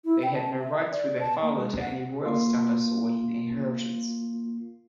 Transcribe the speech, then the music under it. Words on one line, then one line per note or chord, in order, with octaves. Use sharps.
They had no rights through their father to any royal status or inheritance.
E4
G5
A5
E5
D5
A5
A#3
G#3
F#5
A#3 F4